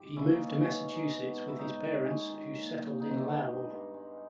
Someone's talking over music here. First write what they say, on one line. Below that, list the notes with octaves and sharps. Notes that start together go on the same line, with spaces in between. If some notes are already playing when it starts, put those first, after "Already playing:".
He moved to Massachusetts with his parents, who settled in Lowell.
Already playing: G#2 G4
A#3 C#4 E4
D#4
E3
C#4
B2 C#4
B2 C#4
D#4
B3
G#3
E4
G#2 D#4
G#2
G#3 C#4
D#3
A#2
A#2
B3 D#4
G#3
G2
G2
G#3